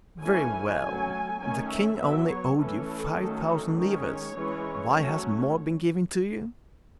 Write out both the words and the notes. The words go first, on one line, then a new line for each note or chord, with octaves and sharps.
"Very well; the king only owed you five thousand livres; why has more been given to you?"
E3 A3 C#4 G#5
F#3 A3 C#4
D#3 A3 C#4 G#5
E5
F#3 B3 E5
C#5
E3 A3 C#4 A4
D#3 F#3 A3 C#4
D#3 G#3 C#4 C#5
E3 G#3 C#4
F#3 A3 C#4